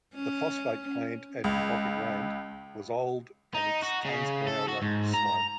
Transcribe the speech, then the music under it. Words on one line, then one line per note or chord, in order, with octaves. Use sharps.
The phosphate plant at Boca Grande was old and its tons-per-hour rate was slow.
C#4
C#2
D#4
F#4
C#3
A4
F#4
G#2
A#5